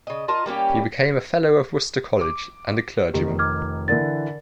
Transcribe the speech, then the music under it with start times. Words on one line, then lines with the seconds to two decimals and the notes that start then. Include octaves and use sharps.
He became a Fellow of Worcester College and a clergyman.
0.07 C#3 D#5
0.28 F4 A#4 D#5 A5
0.46 G3 A#3 C#4 G4
2.21 D6
3.14 F1 D#3 G4
3.39 D6 F6 G#6
3.88 D3 E3 A#4 D5 A6